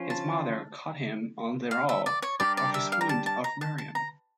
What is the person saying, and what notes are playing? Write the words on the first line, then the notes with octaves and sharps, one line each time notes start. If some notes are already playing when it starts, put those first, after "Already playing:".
His mother caught him on the raw of his wound of Miriam.
Already playing: F3 C#4 F4
A5
F5
E5
D5
C#5
G3 D4 G4 A#4 D5
D5
E5
F5
A#5
A5
A5
A#5
A5
A5
A#5